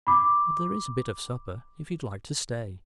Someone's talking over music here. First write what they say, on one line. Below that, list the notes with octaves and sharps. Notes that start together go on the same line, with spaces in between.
But there is a bit of supper, if you like to stay.
B5 D6